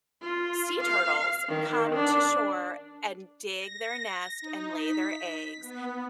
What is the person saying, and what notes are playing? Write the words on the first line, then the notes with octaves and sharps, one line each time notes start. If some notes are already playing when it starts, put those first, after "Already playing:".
sea turtles come to shore and dig their nest and lay their eggs
F4
F5
D#3
D4
A#6
D#4
B6
B3